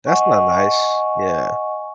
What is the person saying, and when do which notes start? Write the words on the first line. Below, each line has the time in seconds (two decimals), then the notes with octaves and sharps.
That's not nice. Yeah.
0.06 D#5 F#5 G#5 C#6